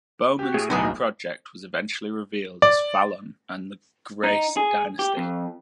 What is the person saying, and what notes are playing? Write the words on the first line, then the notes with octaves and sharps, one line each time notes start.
Bowman's new project was eventually revealed as Fallon and the Grace Dynasty.
F#4 G4
A2 G#4
D1 B1 A3 B3 D#4 G#4
D5
D#4
G#4
G4
F2